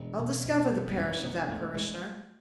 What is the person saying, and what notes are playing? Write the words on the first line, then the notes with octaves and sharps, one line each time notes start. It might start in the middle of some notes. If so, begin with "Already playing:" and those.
I'll discover the parish of that parishioner.
Already playing: E1 B3
B2
E1
E1 A3
B3
E1 C#4
E1 B3
E1 A3
E1 G#3